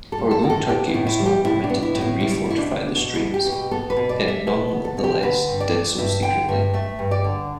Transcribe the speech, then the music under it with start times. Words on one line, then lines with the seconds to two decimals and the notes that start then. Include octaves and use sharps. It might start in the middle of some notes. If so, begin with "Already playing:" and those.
Although Turkey was not permitted to refortify the Straits, it nonetheless did so secretly.
0.12 A4
0.18 G3
0.31 A4
0.43 A2
0.50 A4
0.69 B3 G4
0.88 E4
0.94 A2
1.07 E4
1.19 G3
1.26 G4
1.45 A2 E4
1.64 D4
1.69 B3
1.82 E4
1.95 A2
2.01 E4
2.20 G3 E4
2.45 B2 E4
2.58 D4
2.71 B3
2.96 B2
3.15 E4
3.21 G3
3.34 G4
3.46 B2
3.52 G4
3.71 B3 A4
3.90 B4
3.96 B2
4.09 D5
4.22 G3
4.28 E5
4.47 B2 E5
4.72 B3
4.85 A4
4.97 B2
5.04 G4
5.22 D3 B4
5.48 G2
5.60 D5
5.73 A3
5.98 G2 E5
6.23 D3 G5
6.48 G2 E5
6.73 A3 E5
6.99 G2
7.11 D5
7.24 D3